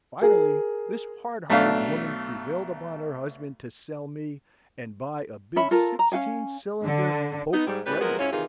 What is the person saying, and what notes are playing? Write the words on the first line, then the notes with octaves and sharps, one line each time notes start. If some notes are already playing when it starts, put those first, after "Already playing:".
Finally, this hard-hearted woman prevailed upon her husband to sell me and buy a big sixteen-cylinder Pope-Gregory.
G#4 A#4
B1 A3 D4 F5
C#4 E5 B5
F4 A4 A#4
A#5
C#4 F#4 F5 G#5
D3
B3 D#4
G#2 G3
A2 G3 C#4 B4
F3 F#3 G#3 B3 F#4 A#4
G#2 C#4 E4 F4 C#5
C3 D#3 E3 F4 G#4